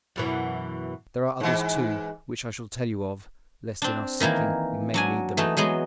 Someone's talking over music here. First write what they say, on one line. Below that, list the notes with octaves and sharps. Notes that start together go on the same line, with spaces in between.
There are others, too, which I shall tell you of, lest in our seeking we may need them.
F#2 B2 E3
G#2 E3
C4 D4
D#3 E3 A#3 E4
F#3 D4 G#5
E3 A3 D#4
E3 F#3 G#3 B3